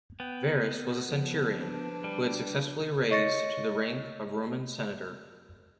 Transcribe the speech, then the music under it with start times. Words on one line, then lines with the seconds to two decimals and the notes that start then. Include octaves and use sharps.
Verus was a centurion, who had successfully raised to the rank of Roman Senator.
0.20 B3 G5
0.77 A#4
1.09 F3
1.52 D4 B4
2.04 G3
3.10 C#5 D#5 C#6 A6 A#6 C#7